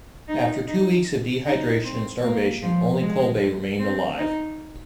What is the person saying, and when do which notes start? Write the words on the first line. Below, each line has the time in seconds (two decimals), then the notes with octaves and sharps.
After two weeks of dehydration and starvation, only Kolbe remained alive.
0.28 D#4
0.67 D#4
1.45 D#4
1.83 C4
2.22 A#3
2.62 F3
3.01 G#3
3.79 C4
4.18 D#4